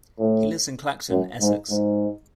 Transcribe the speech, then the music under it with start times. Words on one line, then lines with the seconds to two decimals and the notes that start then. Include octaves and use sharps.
He lives in Clacton, Essex.
0.19 A2
1.10 F#2
1.40 G#2
1.70 G#2